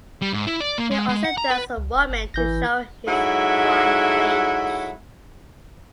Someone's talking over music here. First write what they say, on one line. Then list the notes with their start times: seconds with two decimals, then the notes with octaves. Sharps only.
He also does some women to show his wide range.
0.22 G3
0.33 G#2
0.47 E4
0.61 D5
0.78 A#3
0.91 G#3
1.09 G#3
1.25 F#5
1.38 A#5
1.50 B4
1.77 C#2
1.95 D1
2.09 G1
2.34 G#1 E3 G6 A#6
3.07 G#2 F#3 E4 A4 F#5